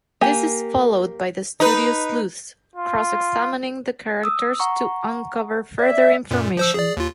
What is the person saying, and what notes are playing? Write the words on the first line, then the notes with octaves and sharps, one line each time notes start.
This is followed by the studio sleuths cross-examining the characters to uncover further information.
A#3 G4 G#5
D#4 B4
F4
D#6 E6
F#5 A#5 C#6
D5 E5
F#2 A#2
F3 C5 E6
G#4 D5
D#2 F4